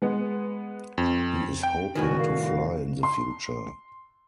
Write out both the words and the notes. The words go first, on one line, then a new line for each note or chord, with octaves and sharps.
He is hoping to fly in the future.
G#3 B3
F2
G5
C2 A2 D#3 F#4 B4 G#5
A#4 F5
C6